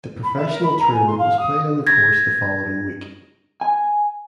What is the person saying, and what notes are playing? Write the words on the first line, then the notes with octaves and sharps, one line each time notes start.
The professional tournament was played on the course the following week.
B5
E5
A#4
B5
A#5
G#5
C6
F5
D#6
G#6 A#6
G#5